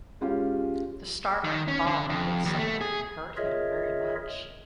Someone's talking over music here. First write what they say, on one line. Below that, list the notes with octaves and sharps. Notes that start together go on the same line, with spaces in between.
The star might fall and hit someone and hurt him very much.
G#3 C#4 F4 G4
D#3
C#4
D3
F2
D#2
A3
G#4
F4 G#4 A#4 C#5 D#5 E5